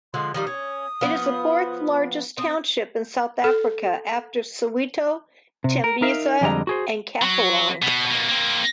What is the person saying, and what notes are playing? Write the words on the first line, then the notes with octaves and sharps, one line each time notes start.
It is the fourth largest township in South Africa, after Soweto, Tembisa and Katlehong.
D3 F3 G#3 C6
D#3 F3 G3 D#6
C#4
F3 B3
C4 D#6
A4
C3
A#4
D#4 A#4 E5 F5
F2 D3 G3 G#3 A#5
F#4 G#4 C5
F#3
B2
B2 A#3
A#3 C4